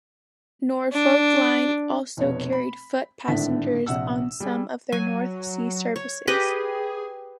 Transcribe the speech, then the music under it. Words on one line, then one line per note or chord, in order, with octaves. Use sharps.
Norfolkline also carried foot passengers on some of their North Sea services.
D4
F1 B2 C#5
B5
G#1 A2 D3 D4 E5 B6
A#1 C3 F#5 E6
G3 G#4
F#3 G#5
C#5
G4 G#4 B4 D#5